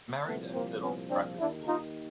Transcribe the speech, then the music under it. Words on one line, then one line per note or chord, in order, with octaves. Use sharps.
He married and settled to practice law.
C2 A#2 F3 A3 B3
A#3 C4
B3 C#4
C4 D4
D#2 D#3 D4 E4
D#4 F4